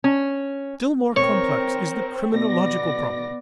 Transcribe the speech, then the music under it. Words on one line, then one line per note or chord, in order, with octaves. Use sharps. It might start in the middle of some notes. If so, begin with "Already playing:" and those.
Still more complex is the criminological problem.
C#4
C4 A#4 C#5
B2 B3 D5 A#6